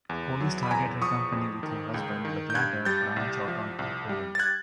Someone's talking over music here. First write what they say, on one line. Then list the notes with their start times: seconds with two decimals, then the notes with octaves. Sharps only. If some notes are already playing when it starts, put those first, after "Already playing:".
Kohli started her company with her husband but later branched out on her own.
0.09 E2
0.40 F#3
0.63 B5
0.71 E2 G#5 A#5
1.02 F3 C#6 D#6
1.32 F2
1.63 D#3
1.94 C#2
2.25 D#3
2.50 G6
2.55 G2 F#6 G#6
2.85 G3 G6 A6
3.16 C2
3.48 F3
3.79 C2
4.09 G3
4.35 A6
4.39 F#6 G#6